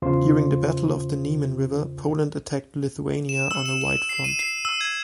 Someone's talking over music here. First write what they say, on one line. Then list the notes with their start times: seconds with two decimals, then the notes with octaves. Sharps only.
During the Battle of the Niemen River, Poland attacked Lithuania on a wide front.
0.02 E2 C#3 F4 C5 C6
3.29 E7
3.51 E6
3.66 E7
3.81 E7
4.09 C7
4.24 D#7
4.39 C7
4.65 E6
4.81 G#6